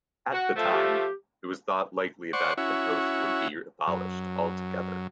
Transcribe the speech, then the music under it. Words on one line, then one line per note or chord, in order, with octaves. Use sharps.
At the time, it was thought likely that the post would be abolished altogether.
F#4
F3 A3
G4
C5 D5 F#5 C#6
C#4 E4 F#4
F#2